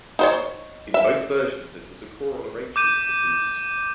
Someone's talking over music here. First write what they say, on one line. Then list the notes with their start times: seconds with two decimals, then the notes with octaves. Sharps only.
In both versions it was a choral arrangement of the piece.
0.19 D#4 C5 C#5
0.94 E5
2.76 D6 G6 D#7